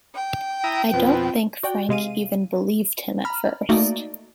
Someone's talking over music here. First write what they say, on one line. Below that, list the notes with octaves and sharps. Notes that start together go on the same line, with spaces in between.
I don't think Frank even believed him at first.
G5
E4 A#5 D#6
F2 B2 C4 F4 B4
F#4 D5 G5
C3 G#3 F5 D#7
A#5 B5 F6
A3 A#3 D#4 F#4 D5 D#5